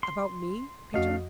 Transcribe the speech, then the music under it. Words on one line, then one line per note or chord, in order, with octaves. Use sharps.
"About me, Peter?"
C6
F2 A3 C#4 F#4 D#5 F5